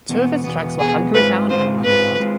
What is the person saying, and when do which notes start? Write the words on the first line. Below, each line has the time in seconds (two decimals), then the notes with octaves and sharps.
Two of its tracks were "Hungry Town" and "Money God".
0.09 E2 B2 B3
0.44 E2 B2 B3
0.79 E2 B2 B3 G#4
1.14 G#2 G#3 C4 F4 B4
1.49 G#2 G#3 C4 F4 C5
1.85 G#2 G#3 C4 F4 B4
2.20 G#3 C4 F4